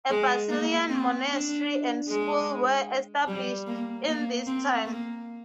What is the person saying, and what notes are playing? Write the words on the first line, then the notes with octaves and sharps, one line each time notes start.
A Basilian monastery and school were established in this time.
G#3
A#3
C4
D4
G#3
G3
A#3
A#3
C4
A#3